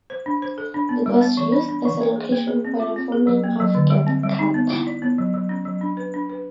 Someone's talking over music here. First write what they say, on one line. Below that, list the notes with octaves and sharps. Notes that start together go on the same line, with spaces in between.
It was used as a location for the filming of "Get Carter".
C5
D4
C5
A4
D4
B3
G3
B3
E3
D4
D4
E3
A#3
G#4
A#3
G#4
C4
F4
C4
G#4
F#3
A#3
F#3
D3
G3
C4
G3
D#4
B3
E4
D5
B3
F#3
F#3
C#4
F#3
D4
B4
D4
B4